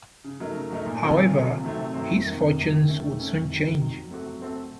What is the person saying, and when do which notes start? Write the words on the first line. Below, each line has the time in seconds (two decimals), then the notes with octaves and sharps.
However, his fortunes would soon change.
0.24 C#3
0.40 F#3 A3 D#4 A#4
0.56 C#3
0.70 F#3 A3 D#4 A#4
0.86 A#2
1.02 F#3 C4 F4 A4
1.17 A#2
1.33 F#3 C4 F4 A4
1.49 C3
1.64 D#3 F#3 A3 C4
1.79 C3
1.94 D#3 F#3 A3 C4
2.09 F2
2.26 C3 D#3 A#3
2.41 F2
2.57 C3 D#3 A#3
2.71 D#3
2.87 A3 C#4 A4
3.03 D#3
3.18 A3 C#4 A4
3.34 F2
3.49 D#3 F#3
3.64 F2
3.80 D#3 F#3
3.95 F#3
4.11 A3 C4 F#4 A4
4.26 F#3
4.41 A3 C4 F#4 A4